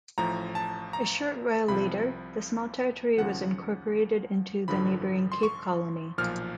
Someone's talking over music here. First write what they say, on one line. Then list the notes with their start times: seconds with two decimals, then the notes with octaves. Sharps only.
A short while later, the small territory was incorporated into the neighbouring Cape Colony.
0.18 A1 A2 F3 A#5
0.55 A5
0.93 A#5
1.68 C2 C3 F3 B5
3.17 D#2 C#3 F3 F#5
4.68 A1 G2 D3 F3 B5
5.32 C6
5.43 C#6
6.18 B1 A#2 F3 F6